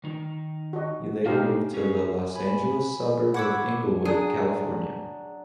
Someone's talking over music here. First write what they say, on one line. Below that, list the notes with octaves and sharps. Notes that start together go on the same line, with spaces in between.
He later moved to the Los Angeles suburb of Inglewood, California.
D#3 D#4
F#4 D#5
G#3 D4 D#4 F#4 G4 F5
C#4 G#4
F#4 G#5 B5
F#5 B5 C#6 D6 E6 G#6
F#3 D4 G#4